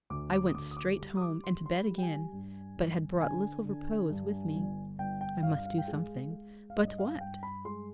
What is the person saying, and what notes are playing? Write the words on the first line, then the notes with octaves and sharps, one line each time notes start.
I went straight home, and to bed again--but had brought little repose with me: I must do something--but what?
D2 D6
D6
D#6
D2 D6
D#6
D6
G3
D#6
D6
G3 C6
C6
B5
G3
G5
G#5
G2
G1
D3 G#5
D3
G2
G1
G1 G5
G5
G2 F5
F5
G5
G#3 F5
G#3
F5
G2 D#5
D#5
F5
G2 G5
B5
G#3 C6